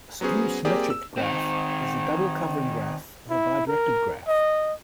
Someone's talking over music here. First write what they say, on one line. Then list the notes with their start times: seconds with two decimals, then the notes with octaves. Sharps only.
A skew-symmetric graph is the double covering graph of a bidirected graph.
0.21 F#3 B3 C#4 G#4 C5
0.65 A#3 C4 G4 G#4 D5
0.90 E6
1.18 D#3 C4
3.30 E4
3.67 A#4
4.28 D#5